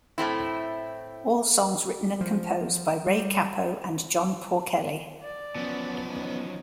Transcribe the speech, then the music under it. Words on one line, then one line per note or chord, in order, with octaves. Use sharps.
All songs written and composed by Ray Cappo and John Porcelly.
A2 A3 C4 E4
F3
G3
D5
F3 F#3 B3 C#4
C#4 D#4